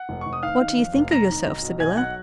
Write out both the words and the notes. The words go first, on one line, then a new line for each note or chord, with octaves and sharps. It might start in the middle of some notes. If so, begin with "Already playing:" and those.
"What do you think of yourself, Sybylla?"
Already playing: F#5 F#6
F1
C#6
F1
D#6
D#3 F5 F6
D#3
F2
F1
F1 A#5 A#6
D#3
B1
B2
B1 G#5 G#6
F#3 F#5 F#6